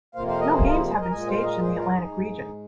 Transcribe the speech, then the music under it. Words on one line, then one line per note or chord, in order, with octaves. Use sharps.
No games have been staged in the Atlantic region.
F2 C3 F3 A#3 C5 F5
C5 F5
A#4 D#5
G#4 C5
F4 A#4
D#5
G#4 C5
G#4 C5
A#4 D#5
A#2 G#3 D#5 G#5
C5 F5
A#4 D#5
G#4 C5
F4 A#4
D#4 G#4
G#2 G#3